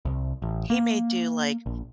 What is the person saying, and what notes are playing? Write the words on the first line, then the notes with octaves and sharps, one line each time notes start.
he may do, like,
C2
A1
A#3
A#1